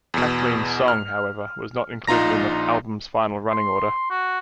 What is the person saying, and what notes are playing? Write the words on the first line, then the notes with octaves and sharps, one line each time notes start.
"Kathleen's Song", however, was not included in the album's final running order.
E2 B2
F6
A#1 D#4 F4 A#5 A#6
C6
F#4